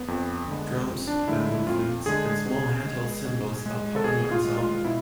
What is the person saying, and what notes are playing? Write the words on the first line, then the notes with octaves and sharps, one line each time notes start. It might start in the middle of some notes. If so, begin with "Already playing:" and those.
Drums, bamboo flutes and small hand-held cymbals are a popular ensemble.
Already playing: B3
F2
D3 G#3
F2
D4
D3 G#3 E4
E4
F2 F4
D3 G#3 G#4
G#4
B2
G#3
B2
G#3
A4
B2 G#4
F4
G#3
F4
B2 E4